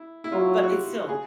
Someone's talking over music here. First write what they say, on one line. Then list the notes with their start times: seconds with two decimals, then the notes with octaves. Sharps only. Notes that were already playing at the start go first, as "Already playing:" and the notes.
but it's still
Already playing: E4
0.24 E4
0.32 F#3 F4
0.63 F#4
0.70 G4
1.09 G#4